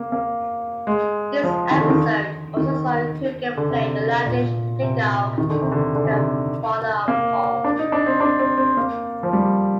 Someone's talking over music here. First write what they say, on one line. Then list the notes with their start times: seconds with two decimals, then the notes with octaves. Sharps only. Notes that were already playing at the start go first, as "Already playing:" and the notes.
This episode also saw Coogan play the laddish Peter Calf, the father of Paul.
Already playing: A#3
0.12 A#3
0.87 G#3
1.43 F3
1.71 D#3
1.80 D3
1.90 D#3
2.57 D#3
3.57 D3
3.70 C3
4.26 A#2
4.82 C3
5.38 D#3
5.50 D3
5.61 C3
5.72 D3
5.95 D3
6.05 C3
6.13 D3
7.08 A#3
7.64 D4
7.79 D#4
7.92 D4
8.06 C4
8.20 D4
8.39 C4
8.58 C4
8.77 A#3
9.23 F3
9.33 G3